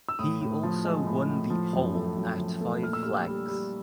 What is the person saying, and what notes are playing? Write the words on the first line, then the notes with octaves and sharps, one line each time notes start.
He also won the pole at Five Flags.
E6
A2 D#6
A2
F3
G#3
A2
A2
F3
F#2
A3
F#2
F3
A3
A#2 F6
E6
G3 F6
G3
G3